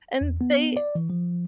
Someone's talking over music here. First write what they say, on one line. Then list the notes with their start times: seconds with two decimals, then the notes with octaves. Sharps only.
and they
0.21 E2
0.41 B3
0.77 D5
0.95 E3
1.10 F3